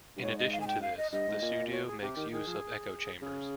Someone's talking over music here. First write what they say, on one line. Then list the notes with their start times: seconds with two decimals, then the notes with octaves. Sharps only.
In addition to this, the studio makes use of echo chambers.
0.16 G2
0.22 G#2 C#5
0.38 D#5
0.52 F5
0.60 G#5
0.67 G5
0.82 F5
0.97 D#5
1.11 G2 D#5
1.28 G#2
1.42 A#2
1.72 C#5
1.87 G#4
2.02 C3 G4
2.16 D#3
2.32 D#3 G#4
2.47 F3
3.21 C#3 G#4